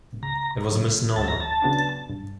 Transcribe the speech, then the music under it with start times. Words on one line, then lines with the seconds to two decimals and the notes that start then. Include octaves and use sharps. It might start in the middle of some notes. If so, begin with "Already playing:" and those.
It was a misnomer.
0.23 C#2 A#5
0.69 C#3 F#3
1.16 D2 A5
1.28 A#5
1.40 A5
1.62 C#3 F#3 B3 D4
2.10 G2